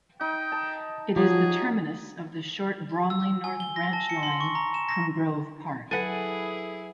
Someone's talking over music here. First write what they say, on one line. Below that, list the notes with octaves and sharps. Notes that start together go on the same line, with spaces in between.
It is the terminus of the short Bromley North Branch Line from Grove Park.
D#4 G5
A5
F3 F#3 F4 F#4 G#4
E6
G#5
G7
A#6
A5
C#7
C6
C#6
A#5
E7
A#6
F#3 E4 G#4 A4 B4 F#5 G#5